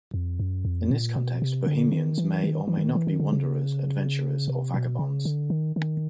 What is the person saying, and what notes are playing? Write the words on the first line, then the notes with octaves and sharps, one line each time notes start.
In this context, Bohemians may or may not be wanderers, adventurers, or vagabonds.
F2
F#2
F2
A#2
B2
C3
D3
D#3
E3
D#3
E3
D#3
E3
D#3
D3
C#3
C3
B2
C#3
D3
D#3
D#3